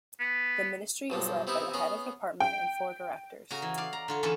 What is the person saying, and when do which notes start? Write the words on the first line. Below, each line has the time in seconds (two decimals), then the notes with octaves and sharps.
The Ministry is led by the Head of Department and four Directors.
0.19 B3
1.10 B1 G2 F3
1.47 C3 B3 D#4 E4
1.74 B3 C#4 G#4
2.40 G5
3.51 C#3 F#4 A#5
3.62 E3
3.78 D5 F5
3.93 A#5
4.08 D3 F4 C#5
4.23 E2 D3 C#4 A4 B4 A5